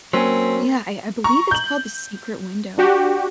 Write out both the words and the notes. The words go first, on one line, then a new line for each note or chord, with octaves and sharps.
Yeah, I I believe it's called The Secret Window.
F#3 A#3 C4 C#4 A#4 G#5
A#5 C#6
G6 F#7
D4 F#4 G4